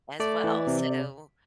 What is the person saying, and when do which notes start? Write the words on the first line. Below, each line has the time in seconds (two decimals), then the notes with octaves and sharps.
as well, so
0.20 A3 D5
0.44 E3
0.67 C3